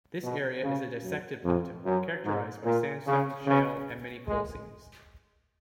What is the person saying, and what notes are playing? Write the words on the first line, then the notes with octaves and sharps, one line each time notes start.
This area is a dissected plateau, characterized by sandstone, shale, and many coal seams.
B2
C#3
F#2
F2
F#2
G#2
A#2
C#3
C#3
G#3